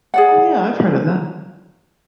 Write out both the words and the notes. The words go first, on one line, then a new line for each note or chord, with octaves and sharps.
Oh yeah, I've heard of that.
G#4 D5 F#5